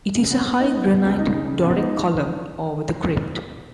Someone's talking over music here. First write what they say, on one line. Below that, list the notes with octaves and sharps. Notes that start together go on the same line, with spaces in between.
It is a high granite Doric column over the crypt.
C#3
B3
B3
D#4
B3
B3
C#2
D#4
C#3
C#3
B3
D#4